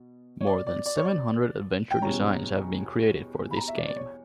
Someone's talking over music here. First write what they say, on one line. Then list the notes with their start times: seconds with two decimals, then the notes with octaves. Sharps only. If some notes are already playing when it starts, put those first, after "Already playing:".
More than seven hundred adventure designs have been created for this game.
Already playing: B2
0.41 C#5
0.46 D5
0.67 D5
0.86 D5
0.97 C#5
1.05 D5
1.91 G5
2.01 E2 B2 G3 C#4 A#5
3.51 B5
3.57 A#5
3.68 E5
3.77 D5
3.88 D5
3.96 C#5